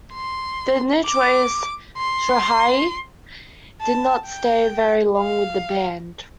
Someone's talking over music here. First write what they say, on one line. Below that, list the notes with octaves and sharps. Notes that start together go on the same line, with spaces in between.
The new choice, Strahli, did not stay very long with the band.
C6
D6
C6
A5
G5
F5